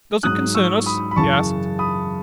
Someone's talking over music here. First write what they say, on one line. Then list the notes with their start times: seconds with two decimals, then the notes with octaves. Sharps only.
"Does it concern us?" he asked.
0.23 G#2 F#3 D#6 F#6
0.55 C#6 E6
0.86 B5 D#6
1.11 B5
1.16 F#2 C#3 E3 A5 C#6
1.79 B5 D#6